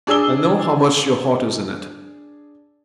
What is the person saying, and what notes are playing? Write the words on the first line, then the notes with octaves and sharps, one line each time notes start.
I know how much your heart is in it.
D4 G#4 D5 E6 G7